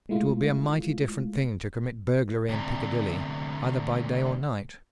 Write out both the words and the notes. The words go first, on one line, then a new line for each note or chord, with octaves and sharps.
It will be a mighty different thing to commit burglary in Piccadilly, either by day or night.
G#3 A3 E4 F4
D2 C3